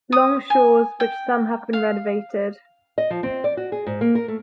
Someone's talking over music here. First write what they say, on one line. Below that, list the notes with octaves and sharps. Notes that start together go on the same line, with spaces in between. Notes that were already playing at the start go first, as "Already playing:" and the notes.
Long shores which some have been renovated.
D#6
G#5
G5
F5
D#5
F3
C4
D5
F#4
G#4
G#2
A#3
A#4
A3